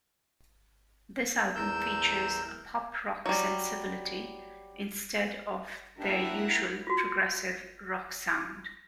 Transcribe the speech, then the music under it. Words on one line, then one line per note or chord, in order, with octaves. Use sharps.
This album features a pop rock sensibility, instead of their usual progressive rock sound.
E2 A#4 E6 G6
F#3 G3
A#3 D4 E4 G4 A#4 E5 F#5
F4 F#4